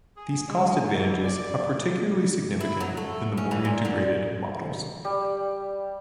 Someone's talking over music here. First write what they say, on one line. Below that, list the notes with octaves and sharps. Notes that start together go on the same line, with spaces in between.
These cost advantages are particularly significant in the more integrated models.
G#4
G#3
E3
D5
E4
F#3
A3
C#4
E3
A#2
D3
G3